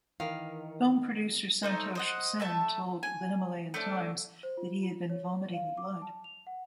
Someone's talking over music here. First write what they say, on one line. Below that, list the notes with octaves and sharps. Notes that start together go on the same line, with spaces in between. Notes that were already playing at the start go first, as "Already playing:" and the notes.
Film producer Santosh Sen told "The Himalayan Times" that he had been vomiting blood.
D#3 E3 F5
A3 D#4 C5
C5 D#5 F#5
A3 E5 A5
G#5
A3 C4 D4
C5
F4
F4
C#5
F5
D6
A5
F7
F#5